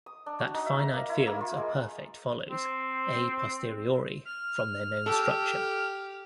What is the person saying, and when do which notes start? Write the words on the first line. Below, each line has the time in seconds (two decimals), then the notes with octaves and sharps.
That finite fields are perfect follows "a posteriori" from their known structure.
0.06 D#6
0.26 D4
0.40 F#4
0.54 D#4
0.66 E5
0.79 A#5
0.93 A#3
1.09 E4
1.27 A#3
1.41 F4
1.57 G#3
2.50 C4
4.25 F6
5.06 G4 A4